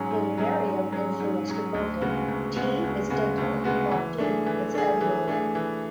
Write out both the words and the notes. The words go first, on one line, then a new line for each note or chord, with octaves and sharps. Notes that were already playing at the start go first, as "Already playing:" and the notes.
In Meriam influenced Broken, t is dental, while d is alveolar.
Already playing: G#2 F#3 C#4 G#4
G#2
F#3 C#4 G#4
G#2
F#3 C#4 G#4
G#2
F#3 C#4 G#4
D2
C#3 G#3 B3 F#4
D2
C#3 G#3 B3 F#4
D2
C#3 G#3 B3 F#4
D2
C#3 G#3 B3 F#4
E3
A3 D4 G#4
E3
A3 D4 G#4
E3
A3 D4 G#4
E3